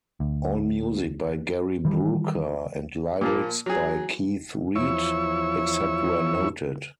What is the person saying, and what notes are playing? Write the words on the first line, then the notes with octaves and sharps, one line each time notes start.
All music by Gary Brooker and lyrics by Keith Reid, except where noted.
D2
D#3 E3 G3
A#2 F3 A#3
F#3 G#4
E2 F3 E4 C#5 C#6 E6